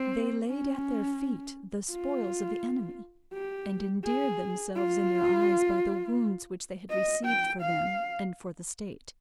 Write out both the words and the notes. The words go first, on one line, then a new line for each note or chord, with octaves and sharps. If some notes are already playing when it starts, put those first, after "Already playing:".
They laid at their feet the spoils of the enemy, and endeared themselves in their eyes by the wounds which they had received for them and for the state.
Already playing: C4
C#4
F4
G4
G#4
F4
D#5
G5
F5